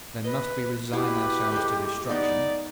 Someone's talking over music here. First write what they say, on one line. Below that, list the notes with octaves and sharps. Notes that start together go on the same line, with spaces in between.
"Then must we resign ourselves to destruction?"
B4 D#5
B2 E4 G4 B4
G#3 A3
B3 D#4 B4 D5